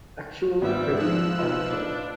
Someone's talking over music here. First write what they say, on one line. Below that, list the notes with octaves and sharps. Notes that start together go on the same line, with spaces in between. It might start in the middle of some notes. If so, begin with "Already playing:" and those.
Actual Privy Councillor.
G#1 G3 B3 C4 E5
F3 G#3 E6 F#6
D#4 F4 B4
D4